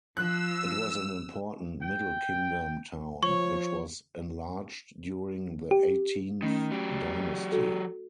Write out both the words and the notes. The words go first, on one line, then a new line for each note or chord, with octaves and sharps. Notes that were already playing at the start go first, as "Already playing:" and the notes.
It was an important Middle Kingdom town, which was enlarged during the Eighteenth Dynasty.
F3 E6 F#6
G5
F3 C#5 C#6
G4
D#3 A3 C#4
F#3 G4
F#4 A4